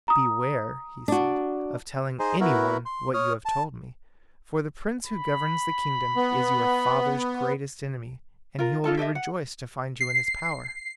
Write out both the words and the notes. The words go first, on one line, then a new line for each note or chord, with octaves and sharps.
"Beware," he said, "of telling any one what you have told me, for the prince who governs the kingdom is your father's greatest enemy, and he will be rejoiced to find you in his power."
A#5 D#6
D4 F#4
D#4 G#4 C5 D#5
B3 E4 F#4 A#4 B4
C6
C#5 D#6 F6
A5
B5
B3
F4 A#4
D#4 F4 A4 A5
G4 A4 D#5 E5
F#5
C7